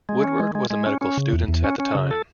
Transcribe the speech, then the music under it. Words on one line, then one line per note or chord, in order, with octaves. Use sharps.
Woodward was a medical student at the time.
G#3
C#4
G#3
G#3
G#3
C#4
C#4
C#3
E2
E2
C#4
C#4
C#3
A4